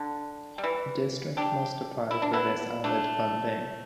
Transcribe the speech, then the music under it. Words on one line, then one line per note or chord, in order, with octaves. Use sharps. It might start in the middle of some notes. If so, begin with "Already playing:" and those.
The District must apply for this added funding.
Already playing: D3
G3
E3
D4 G4
E4
D4
B3 E4
A3 D4